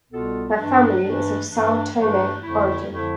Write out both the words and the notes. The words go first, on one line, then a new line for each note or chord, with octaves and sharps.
Her family is of Sao Tome origin.
C2 B2 B3 F4 A4
G2 E3 A3 D4
G2 E3 A3 D4
G2 E3 A3 D4
G2 E3 A3 D4
F2 D3 F3 A3 E4
F2 D3 F3 A3 E4